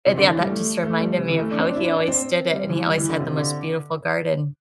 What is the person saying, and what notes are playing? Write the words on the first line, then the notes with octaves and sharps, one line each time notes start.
uh, yeah, that just reminded me of how he always did it, and he always had the most beautiful garden.
C3
D3
E3
G3
A3
A3
G3
C3
E3
A3
D4
C4
D4
E4
D4
D4
C4
G3
E3
G3
E3
D3
C3
D3